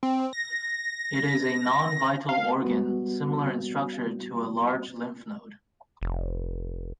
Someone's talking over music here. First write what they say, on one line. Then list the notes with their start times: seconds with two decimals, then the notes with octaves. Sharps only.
It is a non-vital organ, similar in structure to a large lymph node.
0.03 C4
0.33 A#6
2.29 F5
2.63 G3 B3 F#4
6.01 F1